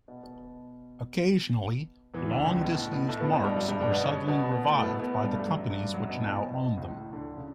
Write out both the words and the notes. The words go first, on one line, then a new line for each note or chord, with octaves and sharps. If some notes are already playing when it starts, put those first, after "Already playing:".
Occasionally, long-disused marks are suddenly revived by the companies which now own them.
B2
B2
E2 E3
D2 D3
C#2 C#3
B2
A2
B2
A2 A3
B2 B3
B2 B3
G2 G3
F#2 F#3
G2 G3
G2 G3
B2 B3
C#3 C#4
B2 B3
B2 B3
A2 A3
B2 B3
B2 B3
G2 G3
A3
G3
F#2 F#3
G2 G3
F#2 F#3
B2
A2
B2
B2
B2
B2
C#2 C#3
A2
D2 D3
C#3